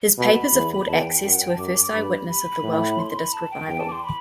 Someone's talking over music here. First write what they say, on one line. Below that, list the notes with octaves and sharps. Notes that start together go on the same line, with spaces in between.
His papers afford access to a first eye witness of the Welsh Methodist revival.
B2 B5
E2
E2 A5
G5
G5
F#2 G5
F#5
G5
A5
F#2 D6
D6
D6
G2 B5
B5
A2
C6
B5
A5
G5
E2 G5
A5
D6
C6
B5